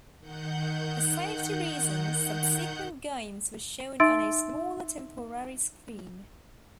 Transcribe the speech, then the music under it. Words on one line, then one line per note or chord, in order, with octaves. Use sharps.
For safety reasons, subsequent games were shown on a smaller, temporary screen.
D#3 F#5 G6
D#4 E5 C6 E6 A6 D7